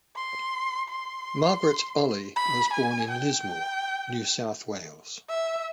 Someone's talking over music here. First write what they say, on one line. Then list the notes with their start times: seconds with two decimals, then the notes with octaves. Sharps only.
Margaret Olley was born in Lismore, New South Wales.
0.16 C6
0.89 C6
2.36 B5
2.73 G#5
3.10 G5
5.29 E5